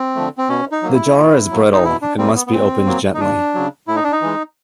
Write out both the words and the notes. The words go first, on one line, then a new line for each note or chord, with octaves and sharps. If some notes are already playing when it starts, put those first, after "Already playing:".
The jar is brittle it must be opened gently.
Already playing: C4
D3 F3 A3
C4
B2 C#4
D#4
F#3 A#3
E4
A#2
F#3 A#3
D#4
B2 E4
D4
G3 A#3 C4
B3
B3
A#2 C4
F#3 A#3
D#4
D#2 D4
C#3 F#3
A2 E4
D#4
D4
D#4
E3 G#3